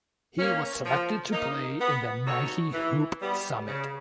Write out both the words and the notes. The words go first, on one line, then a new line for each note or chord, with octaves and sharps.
He was selected to play in the Nike Hoop Summit.
A#3 C#4
F3
A#3 D#4
B3
D#4 F#4 A4 C#5
E3
G3 B3
C#3